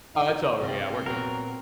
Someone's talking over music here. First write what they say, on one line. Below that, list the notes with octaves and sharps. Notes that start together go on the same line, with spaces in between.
Oh, it's over, yeah, we're good.
D#4 F5
G2 C3 F3 C4
A#2 F#3 B3 A#4 F#5